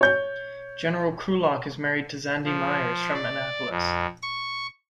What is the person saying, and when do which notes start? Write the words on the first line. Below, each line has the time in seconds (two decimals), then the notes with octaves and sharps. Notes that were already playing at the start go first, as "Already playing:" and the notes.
General Krulak is married to Zandi Meyers from Annapolis.
0.01 C#5 G6
2.45 F3
3.14 D5
3.70 F2
4.23 C#6